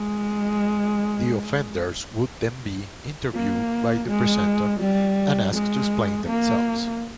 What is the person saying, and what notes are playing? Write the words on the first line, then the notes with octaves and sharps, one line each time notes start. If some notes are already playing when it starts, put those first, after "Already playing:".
The offenders would then be interviewed by the presenter and asked to explain themselves.
Already playing: G#3
A#3
G#3
G3
G#3
A#3